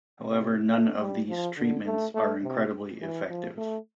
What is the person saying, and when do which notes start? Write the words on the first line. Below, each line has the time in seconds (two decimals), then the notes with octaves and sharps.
However, none of these treatments are incredibly effective.
0.28 C3
0.71 A3
1.00 G3
1.29 F3
1.57 D3
1.86 A3
2.14 A3
2.43 C3
3.00 E3
3.29 F3
3.58 A3